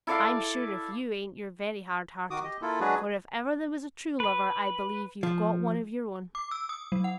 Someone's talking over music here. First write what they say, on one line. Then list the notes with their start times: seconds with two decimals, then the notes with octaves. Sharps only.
I'm sure, if you ain't, you're very hard-hearted; for, if ever there was a true lover, I believe you've got one of your own.
0.07 E4 A4 D5 F5
2.31 D#3 F#4 D6 D#6
2.44 G4 D#5
2.62 A#3 E4 F4 A4
2.80 F#3 G#3 D4 F#4 G#4 B4
4.20 B4
5.23 F3
6.35 D6
6.51 E6
6.69 D#6
6.92 F#3
7.04 F#5